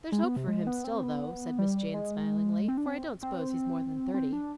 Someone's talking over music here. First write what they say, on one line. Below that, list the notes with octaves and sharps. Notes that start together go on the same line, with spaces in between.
"There's hope for him still, though," said Miss Jane smilingly; "for I don't s'pose he's more than thirty."
G#3
B3
C3
G#3
B3
C4
B3
G3
G#3
C4
D4
C4
C4
C4
D4